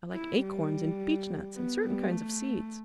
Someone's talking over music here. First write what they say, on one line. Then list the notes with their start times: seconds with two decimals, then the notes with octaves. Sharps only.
"I like acorns and beechnuts and certain kinds of seeds."
0.13 E4
0.42 G3
1.55 B3
1.84 G3
2.11 A3